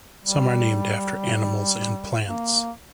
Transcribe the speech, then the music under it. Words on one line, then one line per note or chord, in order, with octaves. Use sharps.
Some are named after animals and plants.
G3
A#3